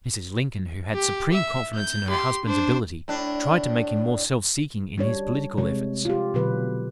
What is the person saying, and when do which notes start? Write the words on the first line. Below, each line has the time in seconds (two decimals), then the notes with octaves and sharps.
Mrs. Lincoln, who had supreme confidence in her husband's ability, tried to make him more self-seeking in his political efforts.
0.94 G4
1.33 E5
1.75 G6
2.08 G4 C6
2.46 D4 C5
3.08 A2 D4
4.98 G3 D4 C#5
5.58 C3 G#3 C#5
6.05 F4 G4
6.34 B2 D3 F#3 B4